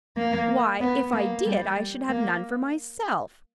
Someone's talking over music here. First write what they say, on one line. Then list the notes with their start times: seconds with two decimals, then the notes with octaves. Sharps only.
Why, if I did, I should have none for myself.
0.17 A#3
0.81 B3
1.13 A#3
1.45 G3
2.09 A#3